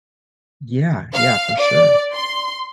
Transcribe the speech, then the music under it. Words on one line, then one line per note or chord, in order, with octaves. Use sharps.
Yeah, yeah, for sure.
F5
D5
C6